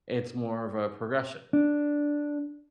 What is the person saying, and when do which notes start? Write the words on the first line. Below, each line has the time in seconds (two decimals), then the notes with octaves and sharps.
It's more of a progression.
1.53 D4